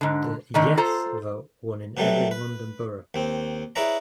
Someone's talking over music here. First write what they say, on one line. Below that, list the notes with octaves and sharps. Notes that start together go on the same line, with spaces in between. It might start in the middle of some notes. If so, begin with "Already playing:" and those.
The 'Yes' vote won in every London Borough.
G#2 D3
D3 D#3 A3
F4 A4 C5 A#5
B2 F#3 G3 A3
B4
D#2 C4
E4 G#4 B4 C#5 D5 A#5